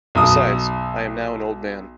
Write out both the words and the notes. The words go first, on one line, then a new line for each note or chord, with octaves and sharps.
Besides, I am now an old man.
B1 D#6